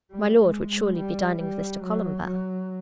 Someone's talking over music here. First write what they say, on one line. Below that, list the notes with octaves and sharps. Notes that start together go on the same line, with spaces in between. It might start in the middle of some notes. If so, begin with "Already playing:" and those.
My lord would surely be dining with Mr. Columbell.
G3
G#3
G#3
G3
G3
F#3
F#3